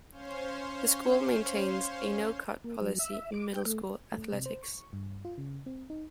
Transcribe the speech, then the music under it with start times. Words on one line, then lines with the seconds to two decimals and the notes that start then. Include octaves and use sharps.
The school maintains a no-cut policy in Middle School athletics.
0.11 C#4 C5 C#5 F5 C6
2.64 A#3
2.81 F#3
2.99 E5
3.32 D6
3.53 G5
3.66 A3
4.12 A3
4.32 C3
4.46 C5
4.63 C#6
4.93 G2
5.25 F4
5.38 C#3
5.66 C4
5.90 D#4